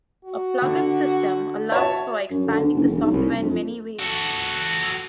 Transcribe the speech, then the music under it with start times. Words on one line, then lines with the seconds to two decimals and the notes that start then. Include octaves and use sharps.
A plugin system allows for expanding the software in many ways.
0.24 F#4
0.62 D3
1.72 F#4 C#5 E5 A5
2.30 F#2
2.47 D3
2.60 D2
2.75 F#1
2.87 E1
3.00 B1
3.12 C2
3.29 G2
3.42 F2
3.99 F#4 A4